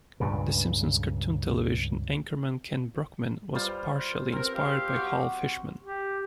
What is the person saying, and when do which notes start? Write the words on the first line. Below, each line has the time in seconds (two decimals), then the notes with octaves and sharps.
"The Simpsons" cartoon television anchorman Kent Brockman was partially inspired by Hal Fishman.
0.20 C#2 G2 A#2 C#3
3.55 G3 F4 C5
4.32 C4 A#4
4.54 G4 F5
4.96 F#4
5.84 G4